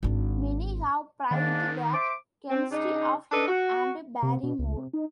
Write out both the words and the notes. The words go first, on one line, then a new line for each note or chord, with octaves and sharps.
Many have praised the chemistry of him and Barrymore.
G#1 D4
G#2 D#3 A#3 D4
C5 E5 D6
C4
C#3 D4 D#4
D4 D#4 A4 B4
F#4
C3
B2
C#2
C3
D#4